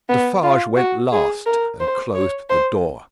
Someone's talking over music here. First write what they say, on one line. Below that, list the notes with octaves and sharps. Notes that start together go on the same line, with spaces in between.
Defarge went last, and closed the door.
B3
F4
F#4
G#4
A#4
C5
C#5
C5